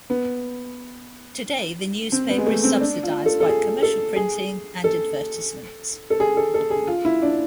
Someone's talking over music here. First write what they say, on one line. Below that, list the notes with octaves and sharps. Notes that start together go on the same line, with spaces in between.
Today, the newspaper is subsidized by commercial printing and advertisements.
B3
C4
B3
G#3
A3
C4
D4
F4
A4
A4
G#4
A4
G#4
A4
A4
G#4
A4
A4
G#4
F4
E4
D4